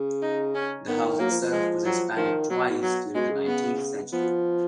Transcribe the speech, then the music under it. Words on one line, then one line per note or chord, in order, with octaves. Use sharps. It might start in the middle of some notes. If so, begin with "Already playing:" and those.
The house itself was expanded twice during the nineteenth century.
Already playing: C#3
D#4
C#4
D#3 B3
F#3 A#3
F3
F3
G#3
F#3
D#3 F3
B2 F#3
F#3
B2 G#3
C#3
B3
F3 B3